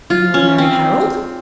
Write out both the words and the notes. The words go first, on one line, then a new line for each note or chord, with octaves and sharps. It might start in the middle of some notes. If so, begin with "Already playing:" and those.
'And you will marry Harold?'
F4
C#4
C4